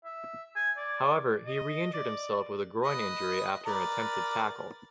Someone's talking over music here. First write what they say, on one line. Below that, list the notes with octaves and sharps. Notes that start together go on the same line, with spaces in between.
However, he re-injured himself with a groin injury after an attempted tackle.
E5
G#5
D5
D#5
D5
B4 D#5
A#4 B4 D5